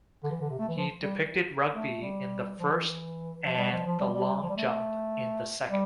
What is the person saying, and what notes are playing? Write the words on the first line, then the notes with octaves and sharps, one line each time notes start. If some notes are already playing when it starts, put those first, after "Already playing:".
He depicted rugby in the first and the long jump in the second.
D3
E3
D3
C3
A3
E3
F3
G3
A3
G3
F3
E3
F3
G3
F3
F3
G3
G3
F3
G3
A3
G3